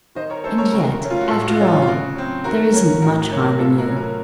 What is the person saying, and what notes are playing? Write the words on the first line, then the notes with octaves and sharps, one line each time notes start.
And yet, after all, there isn't much harm in you.'
D#3 C5 D#5
A#4 C#5
A3 C#4 A4 C5
A#4 C#5
C#3 F#4 A#4
A3 C#4
F4
F#4
A2 F4 A4
F#4
F4
A3 C#4
F4
F4
C#3 F#4
F#3 C4
D#3 F#4 A#4
F#3 A#3 C#4
A2 F#4 A#4
F#4
F#3 A#3 C#4
F#4
A2 F4 A4
F#4 A#4
F#3 A#3 C#4
F#4 A#4